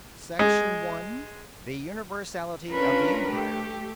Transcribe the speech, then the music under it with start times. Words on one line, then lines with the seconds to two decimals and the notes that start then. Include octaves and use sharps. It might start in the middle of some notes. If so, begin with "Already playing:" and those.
Section One: The universality of the Empire.
0.39 G#3
2.69 C#4 D4 F4 A#4 B4
3.29 A3 G4